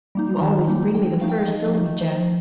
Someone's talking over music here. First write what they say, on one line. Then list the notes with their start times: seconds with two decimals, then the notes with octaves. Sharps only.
You always bring me the first, don't you, Jeff?
0.15 G3 A#3 D#4
0.36 A#5
0.41 D#3 A5
0.68 G3 A#3 D#4
0.95 F3 G5
1.21 A3 D#4 F5
1.29 G5
1.38 F5
1.48 F3 D#5
1.74 A3 D#4
2.01 F3 C5